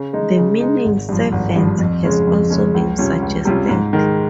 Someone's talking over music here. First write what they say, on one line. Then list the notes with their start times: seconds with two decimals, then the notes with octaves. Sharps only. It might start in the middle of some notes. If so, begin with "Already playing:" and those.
The meaning "servants" has also been suggested.
Already playing: C#3
0.13 G#3 D#4
0.37 C#3
0.60 G#3 D#4
0.85 G#1
1.09 G2 F3
1.32 G#1
1.56 G2 F3
1.79 F2
2.03 C#3 G#3 C#4
2.27 F2
2.50 C#3 G#3 C#4
2.74 C#2
2.98 C3 G3 C#4 F4
3.22 C#2
3.45 C3 G3 C#4 F4
3.69 G#2
3.93 D#3 G#3